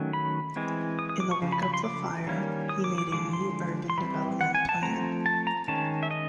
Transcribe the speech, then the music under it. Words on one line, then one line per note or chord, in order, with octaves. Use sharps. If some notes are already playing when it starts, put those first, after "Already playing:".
In the wake of the fire, he made a new urban development plan.
Already playing: D#3 F#3 A3 C#4
B5
E3 G#3 C4
D#6
D#6
D6
C#6
C#3 F3
B5
B5
C6
D6
D#3 G3 A#3 C#4
D#6
D6
D6
D3 F3 G#3 D6
C6
C6
E3 G3 C4 B5
F#5
G#5
A5
F3 A3 C4 A#5
A5
A#5
D#3 G#3 C#4 A5
E5
D#5